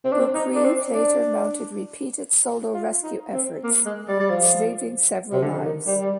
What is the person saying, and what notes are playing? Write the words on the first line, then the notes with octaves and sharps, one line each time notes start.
Boukreev later mounted repeated solo rescue efforts, saving several lives.
C4
D4
C4
D#4
D4
C4
D4
F4
D#4
C4
A#3
G#3
G3
G3
F3
C3
D3
D#3
G3
G3